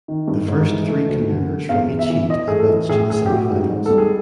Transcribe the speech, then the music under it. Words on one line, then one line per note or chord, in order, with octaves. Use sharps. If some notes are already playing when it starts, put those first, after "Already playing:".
The first three canoers from each heat advance to the semifinals.
D#3
G2
G#2
E3
A3
D2
D3
D3
E2 F5
E2
E5
E3
E3 D#5
A3 G#4
A4
E3
A2 G#4
A2 G#4
G4
A2 F#4
G#2
G#2
G3 A4
G#4